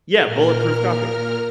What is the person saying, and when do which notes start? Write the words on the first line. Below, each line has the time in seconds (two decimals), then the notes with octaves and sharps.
Yeah, bulletproof coffee.
0.18 A#2 A#4 F6